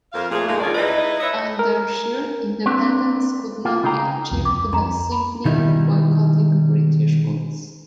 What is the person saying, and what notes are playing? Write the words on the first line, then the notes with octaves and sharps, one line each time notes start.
For Ardeshir, independence could not be achieved by simply boycotting British goods.
F2 A#4 F5
A#2 F3 F4 G#4
G#3 A#3 D#4
D2 D#3 C#4 F4 G#4 D5
D#4 E4 B4 D#5
B4 C#5 D#5 E5
A#4
A#3 C4 D4 B4
A#3 F4
C#3 D#4 G#4 G5 A#5
C2 F2
D6
F2 A#5 C6
B5
B2 D#3 G3 D#4 E4